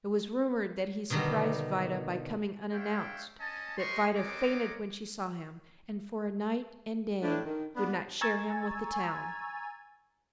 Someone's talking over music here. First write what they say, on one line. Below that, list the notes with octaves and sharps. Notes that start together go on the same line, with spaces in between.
It was rumored that he surprised Vida by coming unannounced, that Vida fainted when she saw him, and for a night and day would not share him with the town.
B2 D3 D#3 F#3 G3
D4 C#5 E5 F5 G5
C#4 D#5 G#5 A5
G#3 G4 A#4 D#5 C6 C#6
B3 C4 A#4 C#5 D#5 D6
A2 D4
D#3
B3 D4
G#5 A#5 C#6 E6 G#6 A6